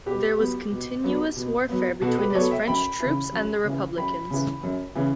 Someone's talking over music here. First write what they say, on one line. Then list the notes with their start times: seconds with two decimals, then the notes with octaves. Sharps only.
There was continuous warfare between his French troops and the Republicans.
0.06 B2 G4 B4
0.39 F#3 B3
0.71 B2
1.04 F#3 B3
1.36 B2
1.69 F#3 B3
2.02 B2 F#4 A4
2.18 G4 B4
2.30 D5
2.35 F#3 B3 A4 C#5
2.51 E5 G5
2.67 F#2 G5 B5
3.00 C#3 E3
3.32 F#2
3.64 C#3 E3
3.97 F#2 G5 B5
4.30 C#3 E3
4.63 F#2
4.95 C#3 E3